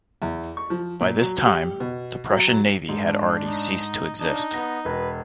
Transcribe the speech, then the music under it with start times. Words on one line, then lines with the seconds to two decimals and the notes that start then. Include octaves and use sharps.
By this time, the Prussian Navy had already ceased to exist.
0.22 E2
0.57 C#6
0.70 F3
1.01 A#2
1.20 F#3
1.45 G4
1.80 B2
2.30 F#3
2.48 F#3
2.89 G#2 D4
3.47 D#4
4.20 D4 D#4
4.54 B3 A#6
4.85 E1 B4